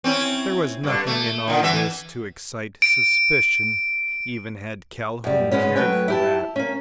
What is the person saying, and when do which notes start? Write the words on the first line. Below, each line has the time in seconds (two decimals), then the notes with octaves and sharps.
There was nothing in all this to excite suspicion--even had Calhoun cared for that.
0.04 C4 C#4 E4
0.83 G2 D3
1.07 A3
1.48 D3 D#3
1.63 E3 E5
2.82 D7
5.24 F#2 G3
5.51 G#2 G#3 B3 C#4
5.76 F#3 A3 B4 C#5 G5
6.08 E4 G4 A5
6.56 A#3 C#4